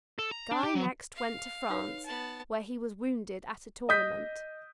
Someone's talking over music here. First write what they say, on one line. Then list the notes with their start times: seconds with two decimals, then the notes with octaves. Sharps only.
Guy next went to France, where he was wounded at a tournament.
0.19 A4
0.32 A#5
0.51 D4
0.63 G4
0.75 F#3
1.15 F5
1.70 D#4 B4 C#5
2.05 B3 A5
3.89 D#5 D#6 G6 B6